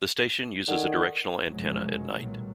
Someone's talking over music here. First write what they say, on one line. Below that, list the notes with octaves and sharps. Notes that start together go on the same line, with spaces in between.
The station uses a directional antenna at night.
D#3 A4 D5 F#5
F1 F#2 B2 F3 F#3 G#3
B1 A#2 D#3 F#3 G3 A3